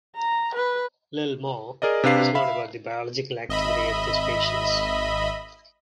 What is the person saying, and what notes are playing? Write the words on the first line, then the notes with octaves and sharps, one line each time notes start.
Little more is known about the biological activity of this species.
A#5
B4
G#4 A#4 D5 D#5
C3 D4 B4 F5 C7
E5 F5 B5
G#1 D#5 E5 B5